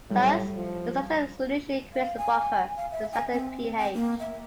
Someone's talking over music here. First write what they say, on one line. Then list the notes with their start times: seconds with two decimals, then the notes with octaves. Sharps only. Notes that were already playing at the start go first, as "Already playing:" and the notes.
Thus, a saturated solution creates a buffer with standard pH.
0.10 A#1 A2 F#3 G3
0.55 F3
1.93 F5
2.18 G#5
2.76 F5
2.92 E5
3.13 G#5
3.31 C4
3.77 G5
3.94 A#3
4.20 E5